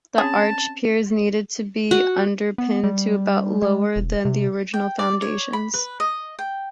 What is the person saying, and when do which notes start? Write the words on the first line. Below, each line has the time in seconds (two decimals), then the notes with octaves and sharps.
The arch piers needed to be underpinned to about lower than the original foundations.
0.18 C4 C#4 G#4 C#5 A5
1.91 F#4
2.58 B3
2.84 G3
3.62 G#3
3.96 E1
4.25 C3
4.74 G5
4.99 D5
5.22 C#5
5.53 B5
5.74 B4
6.00 D#5
6.39 G5